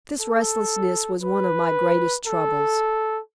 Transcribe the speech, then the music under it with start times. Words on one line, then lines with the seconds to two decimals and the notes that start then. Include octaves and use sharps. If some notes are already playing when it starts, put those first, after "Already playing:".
This restlessness was one of my greatest troubles.
0.21 A4
1.23 B4
2.27 A4